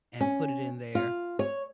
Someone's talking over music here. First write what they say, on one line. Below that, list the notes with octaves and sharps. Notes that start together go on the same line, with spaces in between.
and put it in there.
C#4
F4
C#5